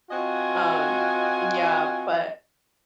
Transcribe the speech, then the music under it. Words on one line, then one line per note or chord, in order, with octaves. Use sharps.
Um Yeah, but
C4 F4 F#4 D#5 G#5